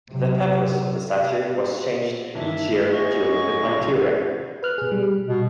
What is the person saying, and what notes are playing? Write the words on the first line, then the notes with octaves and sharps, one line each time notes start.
The peplos of the statue was changed each year during the Plynteria.
C3 F#3
G2 D#3 E3 E5
B3 C#4 D#5 C#6 G7
B1 F2 F#4
B4 F#5
B4 F6 F#6
B2 G#4
G3
B2